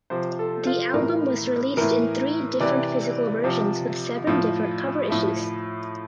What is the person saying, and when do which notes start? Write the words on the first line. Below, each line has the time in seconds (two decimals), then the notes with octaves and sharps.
The album was released in three different physical versions with seven different cover issues.
0.10 C3 F3 C5
0.39 A4
0.67 F4
0.94 A2 E3 A#4
1.77 A2 E3 A#4
2.60 C3 E3 D5
3.44 C3 F3
4.27 A2 F3
5.10 A2 F3 E5